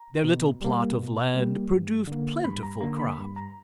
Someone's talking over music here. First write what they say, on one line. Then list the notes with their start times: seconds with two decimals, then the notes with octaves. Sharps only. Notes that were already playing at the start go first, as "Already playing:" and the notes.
Their little plot of land produced plentiful crops.
Already playing: A#5
0.24 B2
0.61 G3 A#3
0.97 B2
1.34 G3 A#3
1.72 G2
2.07 D3 A#3
2.44 G2 B5
2.63 A#5
2.81 D3 A#3 A#5
2.99 B5
3.18 G2
3.36 A#5